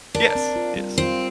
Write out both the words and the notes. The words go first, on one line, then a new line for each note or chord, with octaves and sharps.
Yes, yes.
D4 A#4
C4
F4
G3
C4 F4